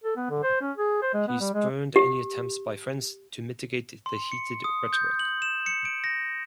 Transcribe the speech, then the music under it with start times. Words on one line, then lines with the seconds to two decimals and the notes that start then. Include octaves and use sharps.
He spurned any attempts by friends to mitigate the heated rhetoric.
0.04 A4
0.17 B3
0.30 D3
0.43 C5
0.61 C#4
0.77 G#4
1.02 C5
1.14 G#3
1.28 B3
1.40 G3
1.54 G#3
1.96 G4
4.06 C6
4.32 C#7
4.64 D#6
4.93 G6
5.19 F#7
5.42 E7
5.66 C#7
5.85 D7
6.04 A#6